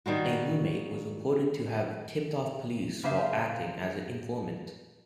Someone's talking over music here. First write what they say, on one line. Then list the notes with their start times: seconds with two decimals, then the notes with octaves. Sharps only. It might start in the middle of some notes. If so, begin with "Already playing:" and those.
A room-mate was reported to have tipped off police, while acting as an informant.
0.06 D#3 G3 A#3 F#4
3.03 C#3 A#3 C5 E5 F5